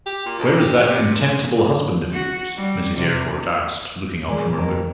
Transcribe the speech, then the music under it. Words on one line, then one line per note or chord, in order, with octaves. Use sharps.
"Where is that contemptible husband of yours?" Mrs. Eyrecourt asked, looking up from her book.
G4
A#2
D2
G4
C3
G#3
F#4
G3
C3
A#2 G#3
F2 A#4 A5